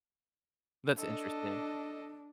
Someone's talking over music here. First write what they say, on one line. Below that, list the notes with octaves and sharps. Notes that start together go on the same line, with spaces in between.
That's interesting.
D4 A4 D#5